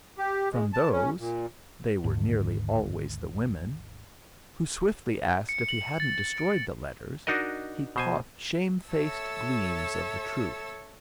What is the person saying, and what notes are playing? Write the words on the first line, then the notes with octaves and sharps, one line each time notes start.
From those--they were nearly always the women--who swiftly asked if he hadn't destroyed the letters, he caught shame-faced gleams of the truth.
G4
G#3
A5
C#4
A#2
G#1 D#2 G#2 D3
C#7
F#7
A6
D7
D4 D#4 F#4 A#4 D#5
B2 C5 G#5
A4 C#5 E5 A5 E6